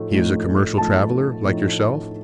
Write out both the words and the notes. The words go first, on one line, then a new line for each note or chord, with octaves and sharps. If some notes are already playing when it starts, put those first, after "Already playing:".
"He is a commercial traveler like yourself?"
Already playing: A2 F3 A3 D#4
A2 F3 A3 D#4
A2 F3 A3 D#4 A5
A2 F3 A3 D#4